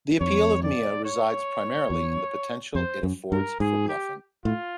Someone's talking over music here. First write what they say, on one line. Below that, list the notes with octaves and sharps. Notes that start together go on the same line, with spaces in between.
The appeal of Mia resides primarily in the potential it affords for bluffing.
F2 C#5
D5
C#5
E2
F2 C5
F#2
G2 A#4
G#2 G#4
G4
A2 F4